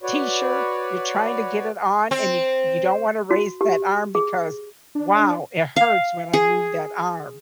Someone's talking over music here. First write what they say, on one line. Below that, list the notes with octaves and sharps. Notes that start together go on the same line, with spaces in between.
t-shirt, you're trying to get it on, and you c you don't wanna raise that arm because, wow, it hurts when I move that arm.
F#4 B4 C#5 D5
C4
F#4
G4
G#4
D4
F5
G#4